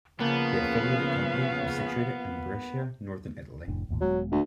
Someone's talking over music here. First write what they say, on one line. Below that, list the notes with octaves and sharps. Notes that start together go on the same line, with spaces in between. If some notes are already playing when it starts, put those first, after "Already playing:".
The affiliated company was situated in Brescia, Northern Italy.
C#3 F3 A#3 B3 F5 A5 G6
F1 A2 D4
G1 D#2 A2
D#1 F#3 G#3 B3
D2